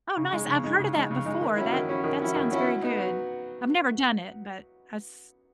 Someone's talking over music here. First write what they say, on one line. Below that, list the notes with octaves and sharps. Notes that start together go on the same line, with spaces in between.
Oh, nice. I've heard of that before. That that sounds very good. I've never done it, but I s
C#3
G#3 D#4
C#3
G#3 D#4
C#3
G#3 D#4
C#3
G#3 D#4
D#3
F#3 C#4 E4
D#3
F#3 C#4 E4
D#3
F#3 C#4 E4
D#3
F#3 C#4 E4
F#3
B3 D#4
F#3